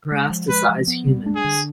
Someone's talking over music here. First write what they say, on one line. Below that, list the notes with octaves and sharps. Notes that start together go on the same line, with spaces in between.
They do not parasitise humans.
G#3
F3
G#3 B4
F3
B3
G3
D4
G#4
D3